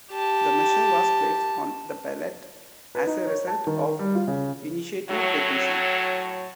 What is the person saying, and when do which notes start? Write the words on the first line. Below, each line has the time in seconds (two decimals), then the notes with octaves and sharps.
The measure was placed on the ballot as a result of initiative petition.
0.11 G4 A5
2.95 B4
3.07 D#4
3.27 C#5
3.48 A5
3.67 D#3
3.99 G3
4.15 F4
4.28 C#3
5.09 A2 F#3